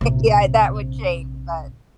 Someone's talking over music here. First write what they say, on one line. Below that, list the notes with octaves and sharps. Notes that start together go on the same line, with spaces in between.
yeah, that would change, but
A#1 C3